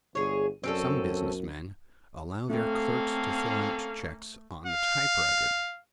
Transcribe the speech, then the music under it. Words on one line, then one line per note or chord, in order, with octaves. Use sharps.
Some business men allow their clerks to fill out checks on the typewriter.
G1 G#4 C#5
F#2 C4 C#4 A4
A3 A#3 C4 C#4 A4 F5
F5